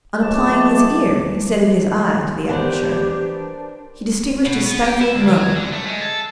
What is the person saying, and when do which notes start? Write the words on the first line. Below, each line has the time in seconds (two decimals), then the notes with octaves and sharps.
On applying his ear instead of his eye to the aperture, he distinguished a stifled moan.
0.22 C#2 E3 F#3 A3 A5 D6
2.49 E3 B3 D4 G4 A#4 C5
4.46 B2
4.66 B3
4.85 G4
5.01 E4
5.16 D2
5.30 F#3
5.56 D3
5.72 A3
5.87 G#3
6.01 A4